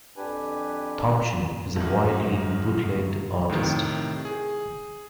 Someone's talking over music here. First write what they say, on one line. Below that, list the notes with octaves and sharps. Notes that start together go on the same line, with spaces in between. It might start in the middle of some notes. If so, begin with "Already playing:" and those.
Thompson is a widely bootlegged artist.
F2 D4 G4 B4 G#5
D#1 F#2
A2 C3 D#3
G#4